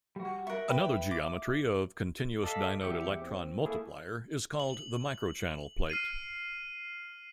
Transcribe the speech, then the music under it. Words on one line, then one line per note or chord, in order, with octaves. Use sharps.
Another geometry of continuous-dynode electron multiplier is called the microchannel plate.
G3 F#4
A#4 E5 C#6 F#6
B4 G5
D6
A4 D5 D#5 F5 A5 B6
E2 G4 E5 D6 G6 C#7
C4
A3 A#3 E4 G#4 A4
F#7
F6 C7 D#7